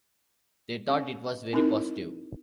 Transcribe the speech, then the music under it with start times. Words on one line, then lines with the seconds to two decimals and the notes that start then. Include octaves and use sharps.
They thought it was very positive.
0.89 C#4
1.53 C4 D#4 E4 A#4